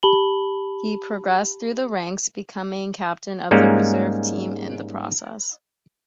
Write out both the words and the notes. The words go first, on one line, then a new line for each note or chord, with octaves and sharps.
He progressed through the ranks, becoming captain of the Reserve Team in the process.
G4 A5 B5 F#7 G7
G#2 G3 G#3 A#3 C#4